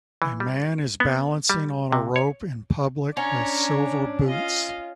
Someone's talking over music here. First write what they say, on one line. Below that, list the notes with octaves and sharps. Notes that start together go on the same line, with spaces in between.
A man is balancing on a rope in public with silver boots.
E3
G3
B3
G3
C3
C#5
C#4 D4 C#5 A#5
F4 D#5 F5